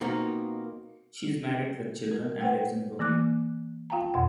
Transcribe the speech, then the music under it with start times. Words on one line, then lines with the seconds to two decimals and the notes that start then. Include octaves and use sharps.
She is married with children and lives in Brooklyn.
0.01 B2 A#3 C4 D#4 F4
2.11 A#4
2.41 B4 C5 F#5 G5
2.99 E3 A#3 D6 F#6
3.90 F4 F5 G5 A5 A#5
4.14 F2 B2 F#5